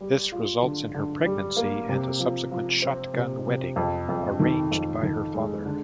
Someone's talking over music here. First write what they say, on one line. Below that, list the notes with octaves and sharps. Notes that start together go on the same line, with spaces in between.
This results in her pregnancy and a subsequent Shotgun wedding arranged by her father.
G3
F4
D3
D3
G3
A#3
C3
F3
F3
C4
C3
C3
F2
F2
D#3
F2
D#3
G#3
D3